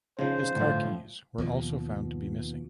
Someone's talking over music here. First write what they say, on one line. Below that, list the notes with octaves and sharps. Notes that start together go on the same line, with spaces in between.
His car keys were also found to be missing.
C#3 F3 D#4 C5
G1 A2 F3
D#2 B2 F3